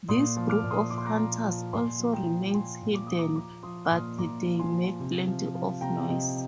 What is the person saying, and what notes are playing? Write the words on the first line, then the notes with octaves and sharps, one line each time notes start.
This group of hunters also remains hidden, but they make plenty of noise.
A#2 C6 D#6
F3
D6 F6
A#2
C6 D#6
A#2 D6
C6
A#5 D6
F3
F3
A#2 G#5 C6
F3
G5 A#5
F3
F3 G#5 C6
A#2
D6
F3 D#6
A#5 D6
F3 A#5 D6
F3 C6 D#6
F6
A#2 C6 D#6
A#2 A#5 D6
F3
G#5 C6
F3
C3
F3
F3
C3 G5 A#5
C3 D#5 G5